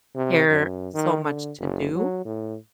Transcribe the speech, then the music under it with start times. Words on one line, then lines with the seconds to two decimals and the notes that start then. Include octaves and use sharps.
care so much to do,
0.16 C3
0.50 F#2
0.94 D#3
1.25 D3
1.59 F#1
1.95 F#3
2.25 A2